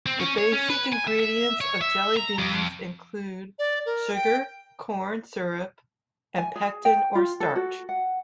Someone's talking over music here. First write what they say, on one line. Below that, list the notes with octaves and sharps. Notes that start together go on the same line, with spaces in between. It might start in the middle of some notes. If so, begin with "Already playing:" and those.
The basic ingredients of jelly beans include sugar, corn syrup, and pectin or starch.
C4
C#4
C#5
C#4
B4
G#5
E5
E5
C#5
E5
A#5
F2
D5
A#4
G5
G#5
G#4
G5
F4
A4
F#4
F#5